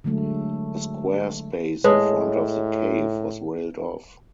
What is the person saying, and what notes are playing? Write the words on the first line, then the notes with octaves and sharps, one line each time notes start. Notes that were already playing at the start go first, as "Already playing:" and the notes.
A square space in front of the cave was railed off.
D3 F#3 G#3 A3
A2 G#3 B4 C#5 A5 D#6